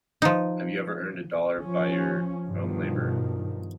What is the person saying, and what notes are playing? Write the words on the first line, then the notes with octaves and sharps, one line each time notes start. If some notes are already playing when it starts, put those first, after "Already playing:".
Have you ever earned a dollar by your own labour.
F3 D#4
F3 C#4
G2 B2 D#3 F3